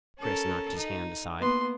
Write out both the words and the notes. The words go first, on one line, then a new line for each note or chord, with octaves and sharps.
Chris knocked his hand aside.
C#4 A4 A#4
D#4
A#3 B3 C6